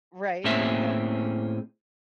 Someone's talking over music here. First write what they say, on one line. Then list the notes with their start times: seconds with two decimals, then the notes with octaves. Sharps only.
Right. Exactly.
0.44 A2 A#3 C4 C#4 G#4 E5